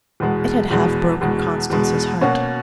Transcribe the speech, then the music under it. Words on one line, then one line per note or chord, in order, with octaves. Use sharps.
It had half broken Constance's heart.
E2 B2 G#3
E2 B2 G#3
E2 B2 G#3
E2 B2 G#3
B2 A#3 C#4 F#4